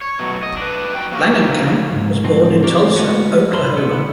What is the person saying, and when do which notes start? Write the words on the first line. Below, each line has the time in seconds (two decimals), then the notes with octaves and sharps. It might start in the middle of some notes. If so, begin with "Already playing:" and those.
Langenkamp was born in Tulsa, Oklahoma.
0.02 C#5
0.19 B2 F#3 A3
0.43 D#5
0.57 D4 B4
0.94 F#3 G5
1.11 F3 A#3 F#4 G4 A#4
1.91 F2 G#2
2.24 D2 G#2 F3 F#3 C4
2.64 F#4 G4 A#4 C5 D5
2.96 G#3 A3 B3 F#4
3.52 G2 F3 A#4 A5 B5 C6
3.76 B3 E4 A4